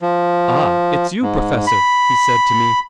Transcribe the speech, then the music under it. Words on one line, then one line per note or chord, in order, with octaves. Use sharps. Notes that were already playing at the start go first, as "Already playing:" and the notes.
"Ah, it's you, professor!" he said to me.
F3
G#2
B5